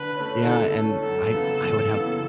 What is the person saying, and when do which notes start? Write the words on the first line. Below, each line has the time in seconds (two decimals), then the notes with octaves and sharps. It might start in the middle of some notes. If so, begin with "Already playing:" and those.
yeah, and I I would have
Already playing: D3 B4
0.16 A3 C#4
0.45 D3 A4
0.74 A3 C#4
1.03 F#2 A4
1.33 C#3 E3 B3 E4
1.63 F#2
1.91 C#3 E3 B3 E4